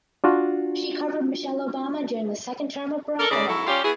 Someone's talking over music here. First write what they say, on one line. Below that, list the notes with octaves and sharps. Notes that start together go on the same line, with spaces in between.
She covered Michelle Obama during the second term of Barack Obama.
D4 F4 F#4
A4 A#4
D#2 C#3 G#4 D5
G#2 E4 F#4 A4
G3 C#4 F4 G4
B3 E4 F#4 G#4